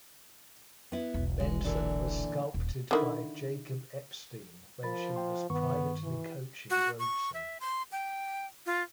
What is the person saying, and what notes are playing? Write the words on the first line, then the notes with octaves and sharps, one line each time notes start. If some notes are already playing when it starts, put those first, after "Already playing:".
Benson was sculpted by Jacob Epstein when she was privately coaching Robeson.
B3 E4
E1 B1
G#3
A#2 D3 E3
D#1
D3 D#3 E4
F3 A#4 B5 A6
G5 C6
G2 D#3 B3 C#6
E3
F#4
C#6
E5
C6
G5
F4